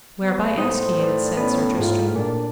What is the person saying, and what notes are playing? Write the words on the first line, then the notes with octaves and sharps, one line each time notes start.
Whereby ask ye it? said Sir Tristram.
B3
A2 D#4 C5
D5
B3 C#4
G#2 D#4 F4
A#2 D4 D5